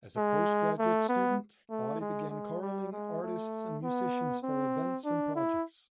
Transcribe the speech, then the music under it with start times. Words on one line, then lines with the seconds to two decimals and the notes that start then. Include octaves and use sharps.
As a postgraduate student, Body began corralling artists and musicians for events and projects.
0.17 G#3
0.79 A3
1.09 B3
1.70 A3
2.01 G#3
2.30 G#3
2.62 G3
2.92 G#3
3.23 A3
3.83 B3
4.44 C4
5.04 D4
5.35 E4